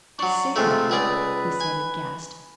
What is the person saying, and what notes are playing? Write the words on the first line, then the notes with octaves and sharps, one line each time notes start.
"Sara!" he said, aghast.
F#3 D4 C#6
C3 G#3 A3 F4
C#2 G#4 B4 D5
G#5